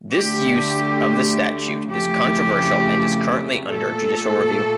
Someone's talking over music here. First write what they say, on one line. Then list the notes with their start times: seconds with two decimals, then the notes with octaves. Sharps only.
This use of the statute is controversial and is currently under judicial review.
0.13 D2 D3 A3 G4
1.91 F2 C#3 E3 A3 G4
3.69 A#2 A3 A4